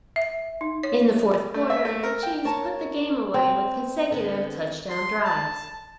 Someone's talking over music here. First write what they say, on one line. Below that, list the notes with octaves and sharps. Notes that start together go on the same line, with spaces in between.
In the fourth quarter, the Chiefs put the game away with consecutive touchdown drives.
E5
D#4
C#5
A3
E5
A3
A#4
G5
A#4 C#5 A5
C4
D3 B3
C6
A5